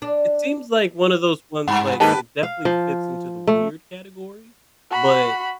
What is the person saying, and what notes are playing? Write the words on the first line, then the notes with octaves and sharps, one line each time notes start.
It seems like one of those ones like it definitely fits into the weird category, but
D4
G2 F#5 B5
D#2 G#2 D#3 G4 B4 A5
F5
F3
A3
F#4 B5